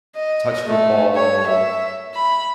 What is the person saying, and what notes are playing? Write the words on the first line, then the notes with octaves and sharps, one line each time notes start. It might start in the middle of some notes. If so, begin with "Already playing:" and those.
touch football,
D#5
A3
C#5
E5
B5